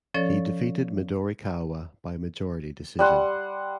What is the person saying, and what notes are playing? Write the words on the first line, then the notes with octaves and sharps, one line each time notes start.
He defeated Midorikawa by majority decision.
F3 C#4 A4 C#5 D5 A6
G3 F#5 C6